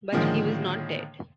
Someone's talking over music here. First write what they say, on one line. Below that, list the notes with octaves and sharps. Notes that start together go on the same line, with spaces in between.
But he was not dead.
A2 D3 D#3 F3 G#3 A#3